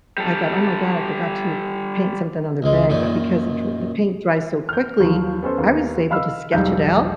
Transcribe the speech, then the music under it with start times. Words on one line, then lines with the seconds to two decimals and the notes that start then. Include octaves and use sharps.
I thought, "Oh my god, I forgot to paint something on their bag", but because the dr the paint dries so quickly, I was able to sketch it out
0.18 G3 A4
2.62 C#2 G#3
2.90 F#2 A#2 D#3
4.69 F6 G6
5.00 D#2 F3 F#3
5.43 B3 C#4 A4 C5
5.58 D#2 A#3 B3
6.10 D#5 F5 B5 E6 F6
6.52 E1 B1 G3 D#4 F5 G6